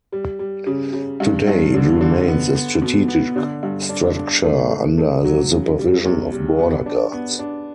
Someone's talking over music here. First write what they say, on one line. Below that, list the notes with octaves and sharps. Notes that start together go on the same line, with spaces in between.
Today, it remains a strategic structure under the supervision of border guards.
G3
G3
C#3
C#3
G2
G2
D3
D3
B3
B3
B2
B3
D3
G2
D4
D4
A3
A3
A3
F#3
C#3
G3
E2
G3
B3
D4
B3
D4